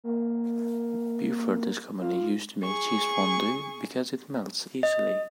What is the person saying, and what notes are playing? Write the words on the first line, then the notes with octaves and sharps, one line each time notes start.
Beaufort is commonly used to make cheese fondue because it melts easily.
A#3
F4
G#4 C#6
D#5